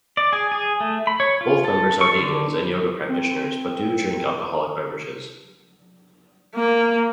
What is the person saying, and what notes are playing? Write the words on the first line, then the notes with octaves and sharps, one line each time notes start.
Both members are vegans and yoga practitioners, but do drink alcoholic beverages.
D5
G#4
G#4
A3
B5
C#5
F4
A4
C#6
D3
C4
A#3